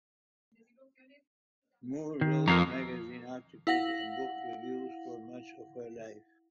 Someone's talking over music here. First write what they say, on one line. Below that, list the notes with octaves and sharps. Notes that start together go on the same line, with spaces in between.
Moore wrote magazine articles and book reviews for much of her life.
D#3
F2 A#4 F5 A#5
E4 F5 F#5 A#6 F#7